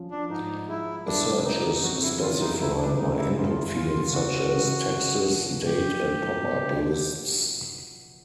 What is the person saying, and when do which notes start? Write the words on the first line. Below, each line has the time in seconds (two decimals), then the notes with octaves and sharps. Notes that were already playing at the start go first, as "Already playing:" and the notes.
A search is specified by input fields such as: texts, date and popup lists.
Already playing: F3 C#4
0.11 D4
0.30 G#2 D#4
0.68 G#3 E4
1.06 G3 D4
1.45 C#3 D#4
1.83 F2 F#4
2.02 E4
2.21 E3 F4
2.41 D#4
2.60 G#3 E4
2.79 D4
2.98 C#3 D#4
3.17 E4
3.36 F#2 F4
3.74 E3 F4
4.13 C#2 F#4
4.51 C#3
4.89 C#2
5.28 F3
5.66 B2 G4
6.04 F#3
6.43 B2